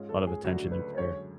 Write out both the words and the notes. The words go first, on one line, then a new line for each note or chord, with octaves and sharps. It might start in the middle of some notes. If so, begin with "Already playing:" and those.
lot of attention and prayer,
Already playing: G#2 G#3 C#4 F4
A4
G#4
D2 C#3 F#3 A3 D4 F#4
B4
F#2 D3 G#3 C#5